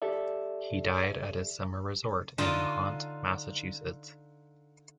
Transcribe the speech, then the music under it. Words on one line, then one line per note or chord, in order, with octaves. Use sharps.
He died at his summer resort in Nahant, Massachusetts.
G4 A4 D5 E5
D3 D#4 F4 D#5 A5